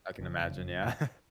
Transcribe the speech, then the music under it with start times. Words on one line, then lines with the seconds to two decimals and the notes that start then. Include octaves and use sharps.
I can imagine, yeah.
0.19 F#1 F2 C#3